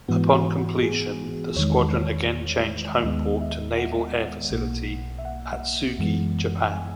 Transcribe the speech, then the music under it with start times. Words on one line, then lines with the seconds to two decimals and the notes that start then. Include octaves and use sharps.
Upon completion, the squadron again changed homeport to Naval Air Facility Atsugi, Japan.
0.08 G#2 E3 B3 F#4
0.34 F#4
0.58 F#4
0.83 G#4
1.56 E2 D#3 G#3 C#5
3.03 D#2 D#3 G#3 B3 D#5
3.41 E5
3.77 F#5
4.51 B1 B2 A#3
5.19 E5
5.25 F#5
5.98 F#2 E3 G#3 B3
6.72 G#5